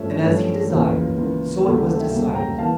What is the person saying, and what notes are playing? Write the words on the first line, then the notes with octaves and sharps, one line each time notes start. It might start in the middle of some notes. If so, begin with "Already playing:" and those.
And as he desired, so it was decided.
Already playing: G2 F3 A3 C#4 C#5 E5
G2 F3 A3 C#4
C#2 C#3 E3 A#3
C#2 C#3 E3 A#3
D2 C#3 G3 A#3 A4
G4
A4
E5 G5
D2 C#3 G3 A#3
G5 A#5
E3 A#3 F5 A5